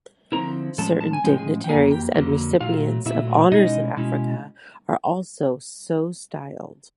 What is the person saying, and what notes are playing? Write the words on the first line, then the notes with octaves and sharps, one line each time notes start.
Certain dignitaries and recipients of honours in Africa are also so styled.
D3 F3 G#3 C4 E4 A#4 A#5
A2 F3 G#3 C#4 A4 A5
A5
G#5
A2 F3 G#3 C#4 G5
G#4 G#5
G5
F2 D3 F#3 A#3 G#4 G#5
G4 G5
F2 D3 F#3 A#3
A#2 F#3 A3 F4 F5
A#2 F#3 A3 E4 E5
B2 G#3 C#4 D#4 E4 D#5
B2 G#3 C#4 E4